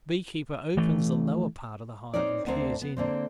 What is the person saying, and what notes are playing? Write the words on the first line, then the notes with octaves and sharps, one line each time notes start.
The beekeeper opens the lower part of the hive and peers in.
E3 A3
C4 D#4 A#4 C#5 D5
D2 A#3 C4 D4 A#4 F#5
B3
D3 A#3 C4